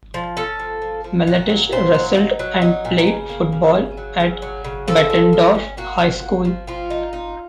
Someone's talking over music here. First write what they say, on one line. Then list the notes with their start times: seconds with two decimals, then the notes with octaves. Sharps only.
Miletich wrestled and played football at Bettendorf High School.
0.14 F3
0.37 C#4 A4
0.59 F3
0.82 F3
1.04 F3
1.27 A#2 F#4
1.49 F#3
1.72 A#2 C5
1.94 F#3
2.17 D#4
2.39 F#3
2.62 D#4
2.85 A#2
3.07 C#3
3.30 A#3
3.52 C#3
3.75 C#3
3.97 F#3
4.20 C#3
4.42 F#3
4.64 C#3
4.88 F3 A4
5.10 F3
5.33 F3
5.55 C#4
5.77 A#3 F#4
6.00 F3
6.22 A#3
6.45 F3
6.67 F3 F4
6.90 D#4
7.13 D#4